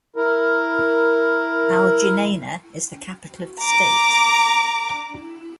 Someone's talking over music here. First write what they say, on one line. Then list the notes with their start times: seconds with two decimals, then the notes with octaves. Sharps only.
Al-Junaynah is the capital of the state.
0.16 E4 A#4
3.59 A#5 D6